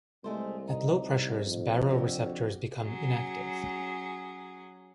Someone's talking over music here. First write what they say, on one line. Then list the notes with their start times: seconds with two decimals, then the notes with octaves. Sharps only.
At low pressures, baroreceptors become inactive.
0.24 C2 G#3 A3 C5
0.68 D#4
1.46 F2
1.89 D3 F#4 G4
2.80 F#3 C#4 G#4